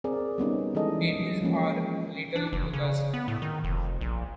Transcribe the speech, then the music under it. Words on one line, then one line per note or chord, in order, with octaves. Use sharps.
Babies are little Buddhas.
C4 G#4 A#4 D5
G3 B3 C#4 D#4
E3 G#3 C#4 G#4 A4 D#5
F3 G#3 A#3 C#4
D4
F#1
C#3
B3
A2
D#3
F1
A#1